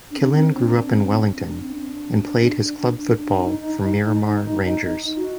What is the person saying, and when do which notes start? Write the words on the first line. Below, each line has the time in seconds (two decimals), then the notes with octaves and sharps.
Killen grew up in Wellington and played his club football for Miramar Rangers.
0.11 D4
0.18 C4
0.26 D4
0.33 C4
0.57 D4
0.88 C4
1.02 D4
1.48 D4
1.61 C4
1.73 D4
3.32 D#4
5.17 F#4